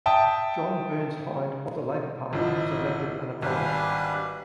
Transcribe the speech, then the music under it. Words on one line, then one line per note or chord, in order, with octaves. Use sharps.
John Burns Hynd of the Labour Party was elected unopposed.
E5 G5 A5 D#6
G#1 F3 E4 D#5
G#1 G3 D4 B4 F5 G#5